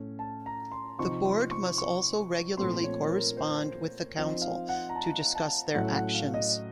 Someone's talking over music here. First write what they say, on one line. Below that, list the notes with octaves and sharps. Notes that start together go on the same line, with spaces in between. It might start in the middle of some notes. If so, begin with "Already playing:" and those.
The board must also regularly correspond with the council to discuss their actions.
Already playing: A2 A3 C#4
A5
A#5
C6
C3 F3 C4 D#4 C#6
C6
C#6
C#6
A#2 F3 A3 C4 C6
C#5
A#4
C5
F3 C4 D#4 D#5
F5
F#5
A#5
A5
A5
A2 F#3 A3 C#4 F#5
F#5
F5
D#5